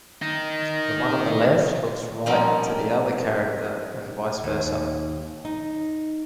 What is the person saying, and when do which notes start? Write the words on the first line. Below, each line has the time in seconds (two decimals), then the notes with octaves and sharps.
The one on the left looks right to the other character and vice versa.
0.22 D#3 D#4
2.26 F3 G3 A#3 C4 C#4 D#4
4.44 D#2
5.45 D#4